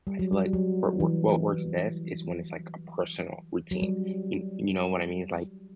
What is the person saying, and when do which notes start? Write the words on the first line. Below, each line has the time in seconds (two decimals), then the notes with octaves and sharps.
I feel like what work what works best is when it's, like, a personal routine. You you know what I mean? It's, like,
0.07 G3
0.19 F#3
0.33 G3
0.53 F#3
1.00 E3
3.71 F#3
3.82 G3